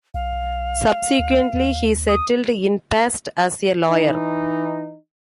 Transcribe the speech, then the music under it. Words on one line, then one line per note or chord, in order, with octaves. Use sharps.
Subsequently he settled in Pest as a lawyer.
B1 F5
D2
D#2
D#6
E3 D#4